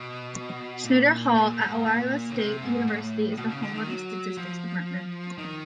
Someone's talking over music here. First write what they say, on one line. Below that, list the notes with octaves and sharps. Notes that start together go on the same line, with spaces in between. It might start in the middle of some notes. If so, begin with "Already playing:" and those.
Snedecor Hall, at Iowa State University, is the home of the Statistics Department.
Already playing: B2
A#2
A#2
G#2
A#2
C#3
C3
G#2
A2
B2
C#3
D3
D#3
F#3
F3
D#3